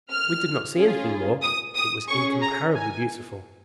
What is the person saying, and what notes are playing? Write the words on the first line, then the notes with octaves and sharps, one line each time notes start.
"We did not see anything more: it was incomparably beautiful."
F6
C#4 F4 G#4
D#6
D#6
C#4 G#4 C#6
A#5
G#5